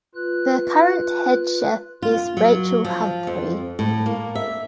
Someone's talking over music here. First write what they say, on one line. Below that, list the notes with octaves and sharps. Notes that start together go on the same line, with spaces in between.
The current head chef is Rachel Humphrey.
F4 B4 F#6
F4
F#3
F3
F2
A2
A#3
E5